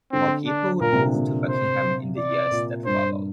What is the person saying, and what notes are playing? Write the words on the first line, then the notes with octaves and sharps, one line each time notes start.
More people would move to Buckingham in the years that followed.
D3 C4
D4
A#2 A#4
C3
D3
C3
C5
D5
A#2
G2 C5